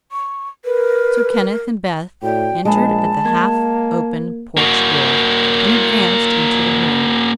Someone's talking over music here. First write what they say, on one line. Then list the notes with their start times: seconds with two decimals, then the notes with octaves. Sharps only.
So Kenneth and Beth entered at the half-open porch door and advanced into the room.
0.12 C#6
0.65 A#4 B4
2.23 A2 F#4 D5 G5
2.65 A#1 G#3 D#5 G#5 A5 B5
3.26 A#3 G#6
4.57 A#3 F#4